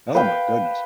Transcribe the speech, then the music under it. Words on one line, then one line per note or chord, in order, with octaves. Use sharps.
Oh, my goodness.
B4 F5 G5